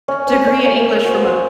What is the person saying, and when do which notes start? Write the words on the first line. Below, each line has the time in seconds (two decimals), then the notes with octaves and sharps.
degree in English from a p
0.08 C#4 C#5
0.27 C#4 C5
0.47 C#4 C#5
0.65 A#3 C#5
0.80 C#4 A#4
0.95 A#4
1.05 F#4 C5
1.17 B4
1.24 C5 F5